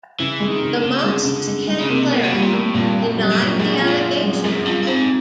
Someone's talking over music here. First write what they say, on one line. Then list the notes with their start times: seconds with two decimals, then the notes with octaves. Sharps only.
The mosque's head cleric denied the allegations.
0.20 C#3 E3
0.40 G#3
0.48 D#3
0.62 C#3
0.75 D3
0.83 C#3
1.04 G#3
1.25 C#3
1.47 G#3
1.67 G#3
1.81 C#3
1.89 C3 A#3
2.10 B2 A#3
2.23 C3
2.31 B2 G3
2.42 A#2
2.52 A2 A#3
2.74 G2 A#2
2.96 A#3
3.02 F#2
3.16 G3
3.31 F#2
3.38 A#2
3.59 F#2 G#3
3.74 F2
3.80 F4
3.87 F#2
4.02 F4
4.24 G#3
4.44 F#2 G#3
4.65 G2 F4
4.86 G#2 C4